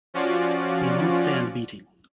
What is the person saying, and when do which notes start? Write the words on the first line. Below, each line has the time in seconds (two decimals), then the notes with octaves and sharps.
He won’t stand beating.
0.14 F3 C#4 F4 F#4 D5